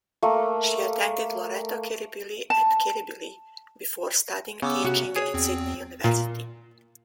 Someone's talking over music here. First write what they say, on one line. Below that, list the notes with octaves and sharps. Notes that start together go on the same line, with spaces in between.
She attended Loreto Kirribilli at Kirribilli, before studying teaching at Sydney University.
A3 A#3 A#4
A5
C#3 B3 D6 E6
C3 F#4
G#4 C#5
E2 C4
A#2